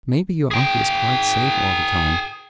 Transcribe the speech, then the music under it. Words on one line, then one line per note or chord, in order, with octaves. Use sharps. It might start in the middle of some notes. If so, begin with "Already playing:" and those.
Maybe your uncle is quite safe all the time.
G#4 G5